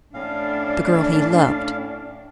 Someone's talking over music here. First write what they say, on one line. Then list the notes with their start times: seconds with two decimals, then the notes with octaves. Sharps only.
The girl he loved!
0.14 A2 C#4 D4 F5